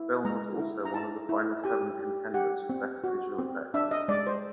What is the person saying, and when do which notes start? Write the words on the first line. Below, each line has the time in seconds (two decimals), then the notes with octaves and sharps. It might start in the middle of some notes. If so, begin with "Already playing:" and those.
The film was also one of the final seven contenders for Best Visual Effects.
Already playing: E4
0.25 G#3 A#5
0.59 E4
0.85 A#5
0.94 E4 A5
1.29 E4
1.64 G4 G#5
1.99 G4
2.34 G4 F#5
2.69 C4
3.04 F#4
3.39 C4
3.74 D4 E5
3.91 D#5
4.08 G#3 D5
4.27 C5